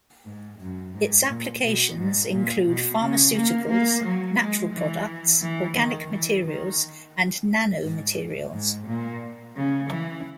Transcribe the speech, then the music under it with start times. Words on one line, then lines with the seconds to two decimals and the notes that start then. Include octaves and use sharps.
Its applications include pharmaceuticals, natural products, organic materials, and nanomaterials.
0.25 G#2
0.60 F#2
0.94 G#2
1.29 A#2
1.63 B2
1.97 G#2
2.32 A#2
2.67 B2
3.01 C#3
3.36 A#3
3.70 A#3
4.04 F#3
4.39 G#3
4.73 E3
5.42 E3
5.77 D#3
6.11 E3
6.46 D#3
7.84 G#2
8.53 G#2
8.87 A#2
9.56 C#3
9.91 E3